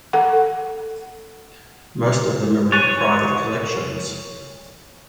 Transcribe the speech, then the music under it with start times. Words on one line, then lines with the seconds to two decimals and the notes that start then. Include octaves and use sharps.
Most of them are in private collections.
0.13 A4 F#5
2.72 C#5 G#5 C#6 F#6 A6